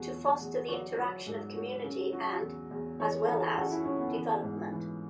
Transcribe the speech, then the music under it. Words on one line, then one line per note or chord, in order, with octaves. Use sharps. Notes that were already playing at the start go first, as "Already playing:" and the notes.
To foster the interaction of community and as well as development.
Already playing: E2 B2 F#4 G#4
F#3
E2
F#3 D5
F#3
G#2
F#3
C#3
F#3
E2
E2
E3 C#5
E3 A4
G#4
F#2 F#4
E4
F#2 C#4
B3
E3
G#2
E3